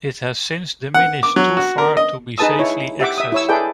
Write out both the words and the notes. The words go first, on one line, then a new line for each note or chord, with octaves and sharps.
It has since diminished too far to be safely accessed.
F#5
D6
F#3
F#4
A#4
D#5
D#4 G#4 B4 A5 D#6 E6
E4 C#5
G4 E5 F#5 D6
E5 D#6
E4 C#5 E6
E4 G#4 A4 B4 D5 G5